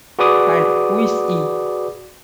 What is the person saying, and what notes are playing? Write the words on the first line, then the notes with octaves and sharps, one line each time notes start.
And who is he?
F#4 G#4 B4 D5 D6 D#6